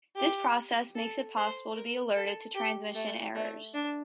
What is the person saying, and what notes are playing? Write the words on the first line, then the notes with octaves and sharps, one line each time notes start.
This process makes it possible to be alerted to transmission errors.
G4
A4
C5
A#4
A4
G4
A3
A3
D4